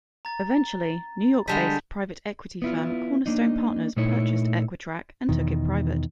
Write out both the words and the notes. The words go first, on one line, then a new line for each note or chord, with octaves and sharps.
Eventually, New York-based private equity firm Cornerstone Partners purchased Equitrac and took it private.
A#5 A6
D3 G3 G#3 A5 G6 B6
B3 E4 F4
A#3 D4 D#4
A#2 A3 D#4 E4 C#5
E2 B2 D#3